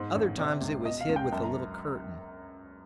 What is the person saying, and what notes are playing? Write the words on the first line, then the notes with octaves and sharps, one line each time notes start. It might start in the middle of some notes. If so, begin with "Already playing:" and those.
Other times it was hid with a little curtain.
Already playing: G#2 C5
A1 C#5
C3 D5
C#2
B2 D#5
F5
C#2
G5
F#2 A5
A#5